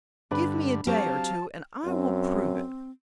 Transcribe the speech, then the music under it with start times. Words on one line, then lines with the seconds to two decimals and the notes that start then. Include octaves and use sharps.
Give me a day or two and I will prove it.
0.31 G2 D3 D4 B4 B5
0.87 F#3 C4 G4 F5 A5
1.86 F#2 C4